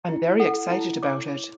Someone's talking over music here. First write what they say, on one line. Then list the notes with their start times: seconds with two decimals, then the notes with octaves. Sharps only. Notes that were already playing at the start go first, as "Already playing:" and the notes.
I’m very excited about it.
0.09 E4
0.40 A4 F#5
0.71 E4 A5
1.03 C#5 D6